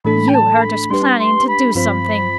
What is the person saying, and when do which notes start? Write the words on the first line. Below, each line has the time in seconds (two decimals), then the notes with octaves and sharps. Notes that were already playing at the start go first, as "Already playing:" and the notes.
"You heard us planning to do something."
0.04 A2 E3 A3 D4 A4 B5
0.27 G5
0.34 A5
0.61 B5
0.90 G3 D4 G4 B4 C6
1.18 C6
1.47 B5
1.75 G2 F3 C4 F4 C5 B5